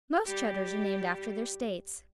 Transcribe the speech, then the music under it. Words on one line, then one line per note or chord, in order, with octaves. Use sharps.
Most Cheddars are named after their states.
G3 G4